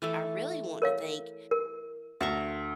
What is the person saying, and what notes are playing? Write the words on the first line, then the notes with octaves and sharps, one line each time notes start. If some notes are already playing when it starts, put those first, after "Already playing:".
I really want to think
E3 A3 A4
A#4 C#5 F5
A#4
D2 A5 A#5 C#6